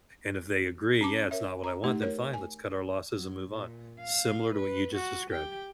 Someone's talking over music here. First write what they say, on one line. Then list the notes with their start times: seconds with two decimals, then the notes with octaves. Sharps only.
and if they agree, "Yeah, it's not what I want," then, "Fine, let's cut our losses and move on," similar to what you just described.
1.01 C#4 A5 D6
1.31 A#4 C#5 E5
1.64 A#5
1.84 A3 D#4 G4
2.02 A#4 C#5
2.34 G#5
3.13 F#3
3.50 A#2
4.00 F5
4.54 B4
4.95 F#4
5.30 G4 G5